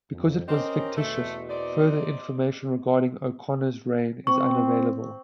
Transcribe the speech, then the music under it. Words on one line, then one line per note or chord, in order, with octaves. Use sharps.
Because it was fictitious, further information regarding O'Connor's reign is unavailable.
F2
C4 C#4 G4 A#4 D#5
E2 B2 A3
C4 D#4 D5
C4 C#6